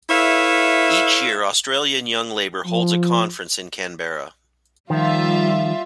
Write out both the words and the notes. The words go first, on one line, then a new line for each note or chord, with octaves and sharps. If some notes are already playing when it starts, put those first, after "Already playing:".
Each year Australian Young Labor holds a conference in Canberra.
E4 A4 B4 C#5 E5 F5
F3
D#3 F3 G3 F4 E5